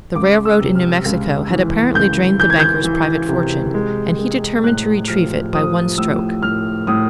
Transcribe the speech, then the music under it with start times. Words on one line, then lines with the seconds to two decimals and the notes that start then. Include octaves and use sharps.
The railroad in New Mexico had apparently drained the banker's private fortune, and he determined to retrieve it by one stroke.
0.15 C#2 D6
0.45 E6
0.61 C3
0.75 F6
1.05 C#2
1.50 E3
1.95 C#2 G6
2.39 E3 G6
2.50 G#6
2.60 G6
2.84 E3
3.29 C3
3.74 G#3
4.19 G#3
4.64 A2 F#6
5.08 F3 F6
5.53 F3 D#6
5.98 A2 E6
6.43 A2 F6
6.87 A2 D#6